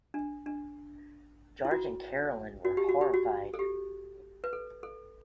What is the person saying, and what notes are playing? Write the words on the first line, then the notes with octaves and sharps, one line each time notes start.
George and Caroline were horrified.
D4
D4
E4
F#4
F#4
G4
F#4
G4
F#4
A4
G4
B4
A4
A4